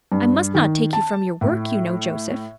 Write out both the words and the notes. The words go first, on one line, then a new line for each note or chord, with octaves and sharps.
"I must not take you from your work, you know, Joseph."
G2
D#3
A5
A2